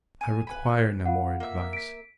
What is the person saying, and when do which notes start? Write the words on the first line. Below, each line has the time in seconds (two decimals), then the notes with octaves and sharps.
"I require no more advice."
0.21 G#5
0.47 B4 G#5 B5
1.05 F4 F5 F#5
1.40 A#3 E5
1.73 B6 D7